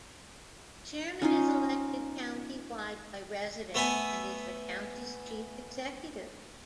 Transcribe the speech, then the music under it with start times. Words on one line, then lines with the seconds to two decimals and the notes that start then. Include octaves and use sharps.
A chairman is elected countywide by residents and is the county's chief executive.
1.22 C#4 D#4 F4
3.74 A3 B3 E5 G#5